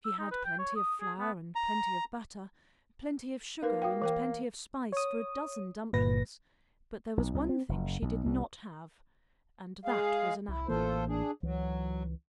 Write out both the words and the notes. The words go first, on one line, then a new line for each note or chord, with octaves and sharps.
She had plenty of flour and plenty of butter, plenty of sugar and plenty of spice for a dozen dumplings, but there was one thing she did not have; and that was an apple.
E6
D#4
B4
G5
C#5
D#6
G#4
B3
A#5
A#3 D#4 A#4 B4
F#4 F5 G5
E3 A#4 G5
C#5 D#6
G1 A#2 B4 A#6
B1
C2
C4
F#1
B1
C2
G#3 G#4 F5
C2 E4
A1 E3 A#3 F4 A4 C5
D4 G#4
C#2 E3 F#3